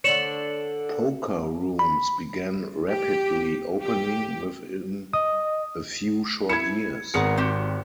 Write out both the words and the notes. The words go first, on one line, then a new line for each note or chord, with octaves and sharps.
Poker rooms began rapidly opening within a few short years.
D3 D4 C#5 C#7 E7 F#7
B5
G4
G4
D#5 D#6
E4 G#6 C#7
G#1 B3 G#4 A#4 C#7
C4 F#4 G4